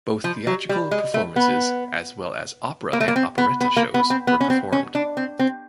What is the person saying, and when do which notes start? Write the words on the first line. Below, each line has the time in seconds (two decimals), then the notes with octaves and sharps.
Both theatrical performances as well as opera and operetta shows were performed.
0.24 F3
0.47 F#3
0.69 G3
0.91 G#3
1.14 A3
1.36 B3
2.93 A#3
3.00 A3
3.08 A#3
3.16 C4
3.38 B3
3.61 B3
3.77 A#3
3.94 B3
4.10 C4
4.27 B3
4.41 C#4
4.50 C4
4.72 C#4
4.95 D4
5.17 C4
5.39 C4